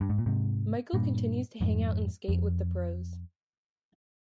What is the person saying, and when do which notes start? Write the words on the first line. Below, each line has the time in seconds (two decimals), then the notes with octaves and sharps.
Michael continues to hangout and skate with the pros.
0.01 G2
0.09 G#2
0.18 A#2
0.26 G#2 C3
0.94 G2 A#2
1.61 F2 G#2
2.29 F2